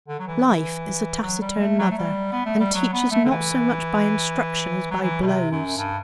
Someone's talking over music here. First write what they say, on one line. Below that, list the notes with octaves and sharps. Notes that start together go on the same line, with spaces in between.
Life is a taciturn mother, and teaches not so much by instruction as by blows.
D3
F#3
E3
E3
F#3
G3
A3
F#3
A3
G3
B3
A3
G3
F#3
B3
A3
D3
E3
F#3
E3
B2
C3
F#2
G2